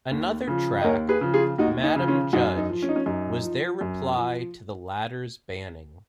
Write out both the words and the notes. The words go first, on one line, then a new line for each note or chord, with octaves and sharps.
Another track, "Madam Judge", was their reply to the latter's banning.
D#2
C#3 F3
D#5
D#2 A#4 C#5
G#4 B4
C#3 F3
F4 G#4
D#2 D#4 F#4
D#4
C#3 F3
C#4 F4
F#2 D#4 F#4
D#4
F3
C#4
D#4
C#4
F#2 D#4
F3
F#2
F3